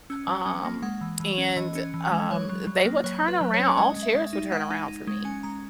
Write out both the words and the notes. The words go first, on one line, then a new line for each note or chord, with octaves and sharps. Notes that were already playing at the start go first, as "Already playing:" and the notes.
um, and, um, they would turn aroun all chairs would turn around for me.
C#4 E6
F#3
C#4
A#3
G#3 F#5
E3
E3
C#4
E3 D#5
C#4
E3
G#3
F#3 C#5
F#3
F#3
A#3
F#3 C#5
F#3
B4
F#3
C#5
C#4
G#3 D#5
G#3
E5
G#3
E5
D#4
G#3 F#5
D#4
D#4
G#3
C#4 G#5
G#3 A#5